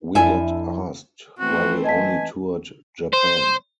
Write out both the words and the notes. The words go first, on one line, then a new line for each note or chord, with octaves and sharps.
We get asked why we only toured Japan.
F2 D4 E4 A4 E5 G#5
E3 A3 C4 F#4
D#5 G#5 A5 B6
C5